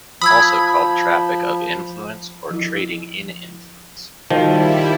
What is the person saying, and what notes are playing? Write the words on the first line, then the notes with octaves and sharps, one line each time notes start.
Also called traffic of influence or trading in influence.
F3 B5 D#6 E6 G#6
F3 E4
D#3 F3 G3 E4 F#4 A#4 G5